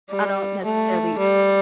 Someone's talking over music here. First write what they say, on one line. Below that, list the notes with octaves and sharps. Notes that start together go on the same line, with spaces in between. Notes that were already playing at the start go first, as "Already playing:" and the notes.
I don't necessarily
G3
A3
G3